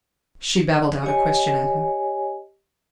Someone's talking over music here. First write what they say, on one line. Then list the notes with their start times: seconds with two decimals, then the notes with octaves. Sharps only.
She babbled out a question at him.
1.02 G4 C#5 D#5 G#5